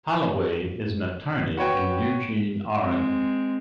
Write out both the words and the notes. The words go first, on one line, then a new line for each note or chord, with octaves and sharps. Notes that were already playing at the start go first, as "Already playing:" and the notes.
Holloway is an attorney in Eugene, Oregon.
F#4 B4 C#5 G5
G#3 C4